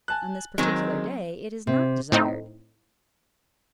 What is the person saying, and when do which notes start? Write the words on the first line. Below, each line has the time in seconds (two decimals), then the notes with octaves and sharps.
On this particular day it is not desired.
0.08 G#5 A5 F#6
0.58 D#3 F#3 G#3 C4
1.67 C3
2.12 A2 C4 D#4